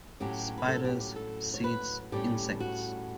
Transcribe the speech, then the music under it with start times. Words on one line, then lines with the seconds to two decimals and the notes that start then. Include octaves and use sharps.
Spiders, seeds, insects.
0.20 A2 F#3 C#4 G4
0.58 B4
0.68 A4
0.85 G4
1.00 G4
1.16 A4
1.54 C#5
1.64 B4
2.12 A2 G3 C#4 G4
2.60 F#4